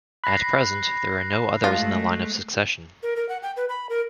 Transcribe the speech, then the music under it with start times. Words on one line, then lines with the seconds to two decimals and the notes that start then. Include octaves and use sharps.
At present, there are no others in the line of succession.
0.24 B5 F#6 A#6 C7
1.64 G#3 A3 F4
3.03 A#4
3.16 A#4
3.29 F#5
3.42 G5
3.57 B4
3.69 B5
3.89 A#4